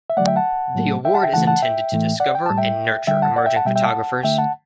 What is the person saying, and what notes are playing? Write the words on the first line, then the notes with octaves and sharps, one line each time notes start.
The award is intended to discover and nurture emerging photographers.
E5
D3 F#3 A3 D5 F#5
E5 G5
F#5 A5
A2 F#3 A3
E5 G5
F#5 A5
E5 G5
C#3 E3 A3 F#5 A5
F#5 A5
E5 G5
A2 E3 A3
D5 F#5
G5
A2 G3 A5
E5 G5
D3 G3 E5 G5
F#5 A5
D5 F#5
E5 G5
F#5 A5
B2 G3 E5 G5
E5 G5
F#5 A5
D3 A3 E5 G5
F#5 A5